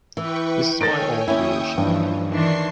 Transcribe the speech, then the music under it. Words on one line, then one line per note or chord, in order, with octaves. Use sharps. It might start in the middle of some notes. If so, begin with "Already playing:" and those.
This is my own creation.
E3 B4 G5 C#6
D#3 A4 C#5 G5 G#5 A6 A#6 D7
D#2 C#4 E4 G5 C#6 D#6
G2 E3 F3
D#3 E3 D4 C6 C#6 C7